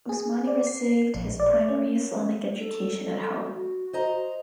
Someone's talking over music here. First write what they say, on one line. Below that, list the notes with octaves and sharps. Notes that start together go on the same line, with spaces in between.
Usmani received his primary Islamic education at home.
G#4
D5
C7
A#1
D5
C#4
A4
F#4
C5 D#5 A#5